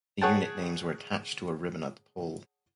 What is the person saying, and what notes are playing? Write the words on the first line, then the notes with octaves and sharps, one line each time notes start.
The unit names were attached to a ribbon at the pole.
G#4 C#5 F#5 G5 A5